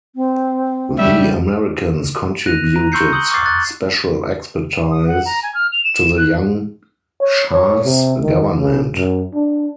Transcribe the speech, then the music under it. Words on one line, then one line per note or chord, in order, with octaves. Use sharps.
The Americans contributed special expertise to the young Shah's government.
C4
C#3 F#3 G3 E5
F#6 A#6 D#7 F7
A#5
C6 C#6 E6 G6 C7 C#7
D#6 G6 F#7 G7
C#6 D6 E6 F6 A6 C7
F#6 A6
D#6
F#5
A#5
G#5
F6
F7
E7
F#6
C#5
C#5
C3
D#3
C#3
F#2
D4